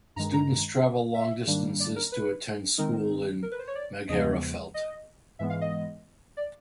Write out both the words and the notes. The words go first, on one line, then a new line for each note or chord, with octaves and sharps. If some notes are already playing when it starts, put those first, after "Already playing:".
Students travel long distances to attend school in Magherafelt.
G2 D#3 G#3 A#5
A#5
E5
G#2 D#3 G3 A#3 D4
D5
A#4
B4
D#3 G#3 C4 D#4 A#4
A#4
B4
C5
C#5
D5
E2 C#3 F3 G#3 B3 D#5
D#5
G#2 E3 G#3 B3 E5
F5
D#5
D5